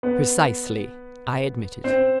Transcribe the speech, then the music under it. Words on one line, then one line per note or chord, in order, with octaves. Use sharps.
"Precisely," I admitted.
B3 B4
C4 C5